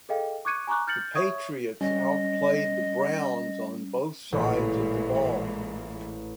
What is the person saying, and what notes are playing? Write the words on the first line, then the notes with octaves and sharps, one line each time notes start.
The Patriots outplayed the Browns on both sides of the ball.
G#4 A4 D#5 F5 G5
C#6 D6 F#6 G#6 C#7 D#7
G#5 A#5 C#6 D6 F#6
F6 G6 A6 C#7 F#7
C#5 E5 C#6 D#6 G#6
G3 C#4 D#5
A1 A#2 E3 G#3